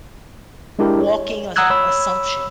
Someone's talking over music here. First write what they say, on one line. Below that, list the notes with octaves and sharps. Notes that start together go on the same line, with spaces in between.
walking assu assumption.
G#3 D4 E4 G4 A#4
C#5
F#5 A#5 D#6 E6 F#6 G#6
C#5 B5 E6